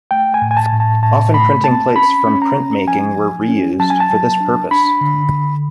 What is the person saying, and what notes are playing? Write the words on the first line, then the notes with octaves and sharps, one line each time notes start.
Often printing plates from printmaking were reused for this purpose.
A3 G5
G#5
A2
G#5
A5
A2
A5
A2 A5
A3 B5
C4 A5
C#4 B5
C#4
A#5
C#4
F3 G#5
F3
C#4
F#3 A5
G#5
A5
F#3
D4
D4 B5
D3
D3